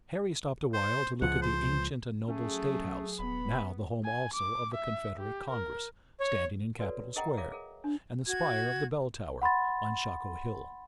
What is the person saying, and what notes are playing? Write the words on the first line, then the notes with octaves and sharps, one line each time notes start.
Harry stopped a while to look at the ancient and noble state house, now the home also of the Confederate Congress, standing in Capitol Square, and the spire of the Bell Tower, on Shockoe Hill.
C5
C#2 F3 F#5
C5
F#3 A3 C#4 G#4
D#1 B3 B5
G#5
D6
E5
G4
A#4
C#5
F#4 A4 B4 C#5 D5
G#4 A#4 D#5 F#5 G5 A#5
G#4 A#4 C#5 E5 F5 D6
G#4 A#4
D4
F#4 G#6
F#5 B5 C6 A6